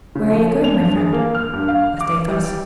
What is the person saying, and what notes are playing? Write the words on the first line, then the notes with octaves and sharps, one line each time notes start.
"Where are you going, my friend?" asked Athos.
C#3
F3
C#4
F7
G2
G#4
A#3
F6
G2
F5
D6
G3